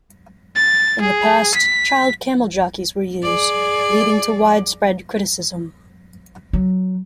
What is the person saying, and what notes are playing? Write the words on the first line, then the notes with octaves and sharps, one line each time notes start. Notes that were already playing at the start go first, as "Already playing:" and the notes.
In the past, child camel jockeys were used, leading to widespread criticism.
A6
G#4
B6
G#4 D5
F#3